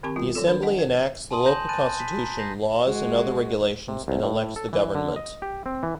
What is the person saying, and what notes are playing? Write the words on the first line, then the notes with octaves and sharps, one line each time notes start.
The Assembly enacts the local Constitution, laws and other regulations and elects the Government.
D#3 C4 G4 A5 C6 C#6
G3 B3 F4
F3 F#3 A4
D#3 D4 B4
D#5 F#5 A5
C5
G#5 A5 C6 D#6 D#7
G6 A#6 E7 F#7
G#5 A5 B5 F#6 A6 D#7
A5 B6 D#7
A#5
G6 A#6 C7
G#3 F#4
C3
C2
A2
A4
E3
D3
D#5
G4
C4
E3